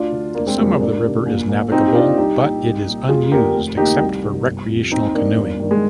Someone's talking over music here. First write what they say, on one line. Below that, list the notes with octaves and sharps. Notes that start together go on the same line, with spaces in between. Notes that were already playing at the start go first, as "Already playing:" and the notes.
Some of the river is navigable, but it is unused except for recreational canoeing.
Already playing: D2 D4 F4
D3
F1 A#3 D4
G#3 C4
F2 C3 D#3 G3 A#3
G#3 C4
D2 A#3 D4
C3 D#3
A#1
A#2
A#1 C4 D#4
G4
A#2 D4 F4
C2 D#4 G4
A#2
C2
A#2
F1 F4 G#4
D#2 D3 G4 A#4
F1
D#2 D#3 D#4 G4
C2
C3 D#3
G1
F2 C3
D#2 C4 D#4
D#3 A#3 D4
G1
G2 D#3
G#3